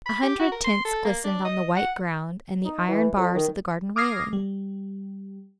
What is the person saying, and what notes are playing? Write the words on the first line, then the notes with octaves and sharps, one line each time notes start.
A hundred tints glistened on the white ground and the iron bars of the garden railing.
B5
G4
F#4
A#4
C6
A4
A#3
D4
D#5
F#5
D#4
E3
F2
D#3
D6 D#6 F6 G#6 A#6 C7
G3